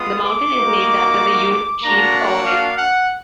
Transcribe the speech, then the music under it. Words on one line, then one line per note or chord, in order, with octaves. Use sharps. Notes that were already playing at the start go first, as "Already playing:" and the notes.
The mountain is named after the Ute Chief Ouray.
Already playing: G#3 B3 F4 D#6
D6
A#3 D#4 F#4
A#3 D4 F#4 A#5
F5
F#5